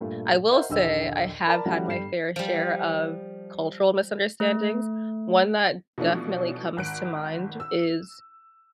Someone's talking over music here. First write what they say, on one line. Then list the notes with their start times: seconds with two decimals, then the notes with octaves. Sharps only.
I will say, I have had my fair share of cultural misunderstandings. One that definitely comes to mind is
0.01 G2 A#2 A3
0.51 A#4 C5 D#5 E5 F#5
0.70 A#1 D#2 D3 D#5 E6
1.47 A#4 D5 A5 B5
1.65 F3 G3 A3 C#4 E4 F#4
1.88 G1 G3 A4 G5 C7 E7
2.36 F3 G3
4.40 A3
5.98 B2 E3 F3 A3 C#4 D4
6.77 G#1 F#6 D7
7.60 E6